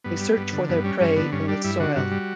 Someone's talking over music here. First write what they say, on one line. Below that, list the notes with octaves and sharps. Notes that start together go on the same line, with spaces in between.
They search for their prey in the soil.
G2 B3
G3
G2
D3
G2 B3
G3 C#4
G2 C#4
D3 B3
G2 C#4
G3 D4
G2 E4
D3 F#4
G2 F#4
G3